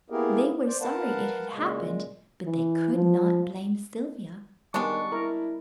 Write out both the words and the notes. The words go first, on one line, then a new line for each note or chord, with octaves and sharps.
They were sorry it had happened, but they could not blame Sylvia.
A#3 B3 E4 G4 G#4 A#4
C5 D5
A#4 B4 F5 F#5 A5
A#2 C#3 G#3
E3
F3
D#3 G3 G#3 B3 D4 C#6
E4 A#4